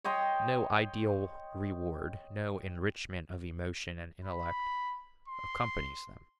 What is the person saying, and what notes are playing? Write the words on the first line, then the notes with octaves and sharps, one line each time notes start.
No ideal reward, no enrichment of emotion and intellect, accompanies them.
C#5 D#5 G5 C6
B5
C6